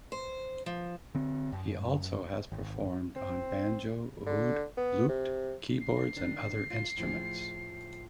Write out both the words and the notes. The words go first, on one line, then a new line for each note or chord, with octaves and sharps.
He also has performed on banjo, oud, lute, keyboards and other instruments.
C5
F3
D3 C4
F#2
G#1
C4
D3
B3
C3
C7
D#3 D4
F4
A2 F3 G#4